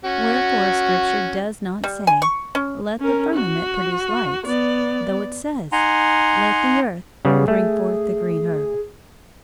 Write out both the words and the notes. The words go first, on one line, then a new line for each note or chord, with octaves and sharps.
Wherefore Scripture does not say: "Let the firmament produce lights," though it says: "Let the earth bring forth the green herb."
C#4 F#4
G3
G#5
C#6
C#4
C#4 A#4
F#4
B3 D5
D#4 F#5 G#5 A#5 C6
C#3 G3 B3 G#4
A3